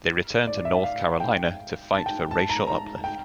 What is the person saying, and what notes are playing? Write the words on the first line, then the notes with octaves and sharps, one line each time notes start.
They return to North Carolina to fight for racial uplift.
D5
D5
E5
F5
G5
A5
G5
A5
A#5
A#5
G5